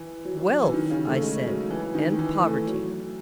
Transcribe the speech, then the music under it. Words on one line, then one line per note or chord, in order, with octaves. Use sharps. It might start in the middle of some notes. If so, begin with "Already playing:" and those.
Wealth, I said, and poverty.
Already playing: E3
F#3
F#3
F#3
E3
D#3
C#3
A3
G#3
F#3
E3
D#3
E3
A3
F#3